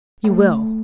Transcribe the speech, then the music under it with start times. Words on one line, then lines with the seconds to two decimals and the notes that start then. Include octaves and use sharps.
"You will."
0.24 A3